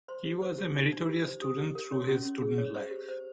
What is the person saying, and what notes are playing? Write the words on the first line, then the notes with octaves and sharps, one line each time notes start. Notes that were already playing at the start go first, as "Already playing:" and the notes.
He was a meritorious student through his student life.
C5 C6
G4
C5 C#6
G4
D#4
D#4
G4
C5
G4 D#6
G4
A#4
C#5
C6
C#4 C#6
C#4
G#4
C#5
C5 C#6
G4
C5